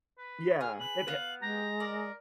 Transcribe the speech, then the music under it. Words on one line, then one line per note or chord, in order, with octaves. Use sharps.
Yeah, it ha
B4
G#4 F6
B4 F#7
B3 F5
G#3 G4 A#5
A#4 D5